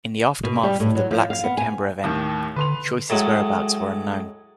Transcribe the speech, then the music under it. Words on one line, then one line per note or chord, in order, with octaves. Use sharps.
In the aftermath of the Black September Event, Choice's whereabouts were unknown.
B2
G3
A2
F#3
F3
F5
B3
G#5
D#2 A2 D#3
D3 B4 C6 F7
A2 F#3 G#3